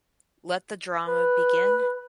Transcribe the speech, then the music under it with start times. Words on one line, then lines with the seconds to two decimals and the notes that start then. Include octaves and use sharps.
Let the drama begin!
1.07 B4